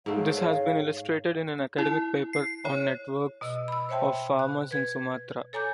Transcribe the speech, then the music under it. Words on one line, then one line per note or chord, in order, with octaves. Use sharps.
This has been illustrated in an academic paper on networks of farmers in Sumatra.
G#2 A3 C#5 F5
E4
C7
C#5
B2 D#5 E6
B5 E6
C5 C#5 E5 G5 A5 C6
F#6
B4 G#6
A4 C#5 G#5 A#5 D6 G6